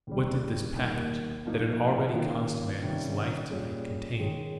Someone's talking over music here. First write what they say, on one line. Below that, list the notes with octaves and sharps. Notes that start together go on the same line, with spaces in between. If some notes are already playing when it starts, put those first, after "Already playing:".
What did this package, that had already cost a man his life to-night, contain?
D#2 C#3 G3
D#2 D#3 G3 A#3
A#2 F3 A#3 D#4
D#3 A#3 C#4 F4
C3 D#3 G3 C#4
A#2 G3 C#4 G#4 C#5
D#3 G#3 D#4 G#4 C#5